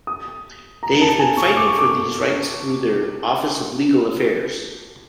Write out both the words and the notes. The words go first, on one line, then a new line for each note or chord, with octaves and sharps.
They have been fighting for these rights through their Office of Legal Affairs.
D#6
A#5
A5
G#5
C#6
D6
C#6
D6